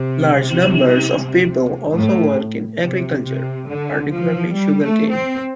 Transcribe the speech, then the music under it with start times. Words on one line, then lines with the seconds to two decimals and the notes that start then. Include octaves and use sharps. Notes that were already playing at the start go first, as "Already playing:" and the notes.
Large numbers of people also work in agriculture, particularly sugarcane.
Already playing: C3
1.95 A2
2.82 C3
3.24 C3
3.67 D3
4.10 F3
4.53 G3
4.82 A3
5.11 C4